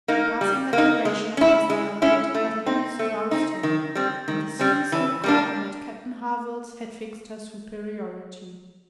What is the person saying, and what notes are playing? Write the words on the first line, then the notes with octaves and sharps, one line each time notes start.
The passing admiration of Mr Elliot had at least roused him, and the scenes on the Cobb and at Captain Harville's had fixed her superiority.
A#3 D#4
G3
A#3
D#4
G#3
C#4 E4
G#3
C#4 E4
A3
C4 D#4
A3
C4 D#4
D#3
G3 C4
D#3
G3 C4
E3
G3 A#3 D4